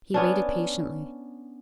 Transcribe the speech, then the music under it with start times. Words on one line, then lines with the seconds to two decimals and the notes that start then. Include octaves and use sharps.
He waited patiently.
0.14 B3 C#4 D4